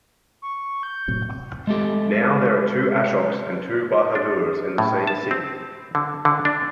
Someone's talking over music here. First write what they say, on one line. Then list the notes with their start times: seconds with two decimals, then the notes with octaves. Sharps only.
Now there are two Ashoks and two Bahadurs in the same city.
0.42 C#6
0.83 G6
1.08 A2 C3 F#3
1.67 G#3 A3 G4 A4
4.15 D4
4.78 A2
5.07 A5
5.31 C4
5.95 D3
6.25 D3
6.45 D4